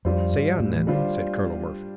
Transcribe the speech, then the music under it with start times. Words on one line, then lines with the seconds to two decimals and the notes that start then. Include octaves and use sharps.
"Say on, then," said Colonel Murphy.
0.05 F2 G3 D4 F4 C5
0.32 G2
0.60 A2
0.75 E3
0.87 D3 G3 D4 F4 C5